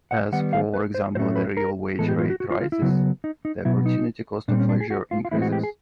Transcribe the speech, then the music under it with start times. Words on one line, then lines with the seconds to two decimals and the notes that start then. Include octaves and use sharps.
As, for example, the real wage rate rises the opportunity cost of leisure increases.
0.11 F#5
0.32 D#3 G3 B3 F#5
0.53 F5
0.74 B4
0.94 C5
1.15 A2 F#3 A3 C#4 C5
1.36 B4
1.57 A#4
1.98 A2 E3 G#3 B3 A4
2.09 G4
2.19 F4
2.30 F#4
2.40 F#4
2.51 F4
2.61 F4
2.72 E4
2.81 C#3 F#3 B3
3.24 D#4
3.45 D#4
3.65 B2 F#3 B3 E4
3.86 D#4
4.48 A#2 G3 C4 D4
4.60 C#4
4.69 D4
4.81 G#4
4.91 F#4
5.11 F4
5.25 F4
5.31 A2 E3 G#3 C4 E4
5.42 F#4
5.52 G4
5.63 G#4